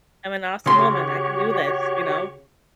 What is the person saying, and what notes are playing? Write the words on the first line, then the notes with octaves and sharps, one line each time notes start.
am an awesome woman, I can do this," you know?
C#3 F#4 G4 C#5 C6